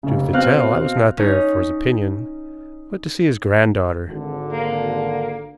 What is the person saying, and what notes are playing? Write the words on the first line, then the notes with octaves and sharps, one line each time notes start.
Truth to tell, I was not there for his opinion, but to see his granddaughter.
F1 C#3
B2 C4 F5 F6 F#6
C#4 D#4
G#1 D3
A#3